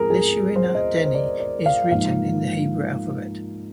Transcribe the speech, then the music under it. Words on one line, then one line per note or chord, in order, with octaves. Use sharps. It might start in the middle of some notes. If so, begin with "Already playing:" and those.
Lishana Deni is written in the Hebrew alphabet.
Already playing: G#2 F3 C4 G#4 A#4
G#4
C5
D#5
C5
D5
D5
F5
G#2 F3 A#3 D#4 F5